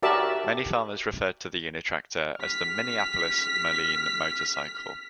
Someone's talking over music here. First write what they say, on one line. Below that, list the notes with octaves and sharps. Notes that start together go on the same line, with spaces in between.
Many farmers referred to the Uni-Tractor as the "Minneapolis-Moline Motorcycle".
F#4 G4 A#4 D5 E5 A5
F6 B6